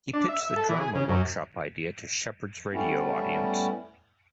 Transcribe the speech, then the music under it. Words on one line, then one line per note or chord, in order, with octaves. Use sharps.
He pitched the drama workshop idea to Shepherd's radio audience.
D4
E5
E5
A4
E3
G#4
C#3
F#2
G3 A3 B3 C#4 E4